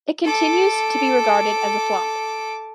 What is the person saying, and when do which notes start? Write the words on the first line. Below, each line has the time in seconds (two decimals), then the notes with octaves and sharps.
It continues to be regarded as a flop.
0.24 A4 D6